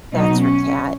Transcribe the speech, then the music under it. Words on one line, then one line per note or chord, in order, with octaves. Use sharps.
That's your cat."
B2 F#3 D#4
C#4